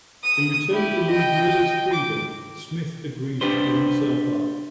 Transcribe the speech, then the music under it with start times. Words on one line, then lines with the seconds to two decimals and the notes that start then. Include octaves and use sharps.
In return for Ludmilla's freedom, Smith agrees to give himself up.
0.24 D#6
0.71 E4 G4
1.10 D#5 G5
1.92 D6
3.41 D4 G4 B4 C5